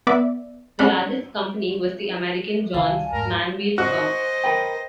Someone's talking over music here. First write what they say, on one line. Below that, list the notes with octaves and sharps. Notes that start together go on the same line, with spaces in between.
The largest company was the American Johns-Manville firm.
B3 D5 E5
C#4 D4 F#5 B5
C2 D#3 D5 F5 G#5 A5
E2 G#2 A3 A#4
F#4 C5 D#5
A#4 B4 G5